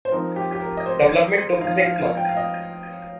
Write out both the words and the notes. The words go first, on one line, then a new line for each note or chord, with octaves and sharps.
Development took six months.
C5
F3 C4 D#4 A#4
G4
G4
A#4
D#5
C5
F3 D#4 F5
F5
F5
G5
F5
D#5